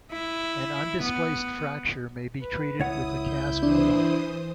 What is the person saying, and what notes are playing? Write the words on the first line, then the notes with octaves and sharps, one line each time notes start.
An undisplaced fracture may be treated with a cast alone.
E4
B3
B4
C#2 E4 C#5 F#5 D#6
G6
E3 D4 C5 D#6